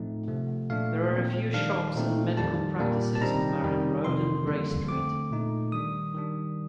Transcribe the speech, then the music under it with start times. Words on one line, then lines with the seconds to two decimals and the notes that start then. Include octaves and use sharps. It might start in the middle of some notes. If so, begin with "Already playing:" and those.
There are a few shops and medical practices on Marion Road and Bray Street.
Already playing: A2 F3 A3 C4 D#4
0.28 C3 F3 A3
0.70 A#2 A3 D4 F5
1.11 A#2 F3 C4
1.53 D#3 G3 D4 F5
1.95 A#2 A3 C4 D#4
2.37 F2 D#3 G3 A5
2.79 A#2 G3 A#3 D4
3.15 A5
3.21 D#3 G3 C4 D#4 A#5
3.63 F2 D#3 G3
4.04 F2 C3 D#3 C6
4.46 F2 D3 G3 A#3 D4
4.88 D3 A3 C4 D6
5.30 A#2 A3 D#4
5.72 D#3 G3 D4 D#6
6.14 D#3 G3 D4